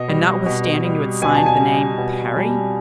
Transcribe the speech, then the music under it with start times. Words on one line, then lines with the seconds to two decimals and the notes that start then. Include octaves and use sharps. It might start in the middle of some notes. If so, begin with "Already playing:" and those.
"And notwithstanding you had signed the name Parry?"
Already playing: B2 D#5
0.08 G3
0.46 B2
0.85 G3
1.22 B2 G#5
1.34 A5
1.46 G#5
1.60 G3
1.98 B2
2.36 G3